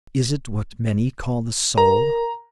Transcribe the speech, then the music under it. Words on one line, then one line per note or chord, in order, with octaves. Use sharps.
Is it what many call the soul?
A#4 A#5